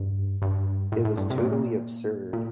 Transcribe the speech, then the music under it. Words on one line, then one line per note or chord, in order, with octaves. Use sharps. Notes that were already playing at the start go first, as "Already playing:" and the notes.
It was totally absurd!
Already playing: G2
G2
A2
A2
G2
C3
A#2
A2
A#2
A#2